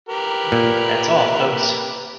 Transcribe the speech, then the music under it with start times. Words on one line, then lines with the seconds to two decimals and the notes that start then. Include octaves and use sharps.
That's all Folks!
0.09 G4 A#4 B4
0.52 A#2